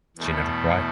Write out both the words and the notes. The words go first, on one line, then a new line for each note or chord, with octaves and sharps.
She never cried.
E2 B2 A3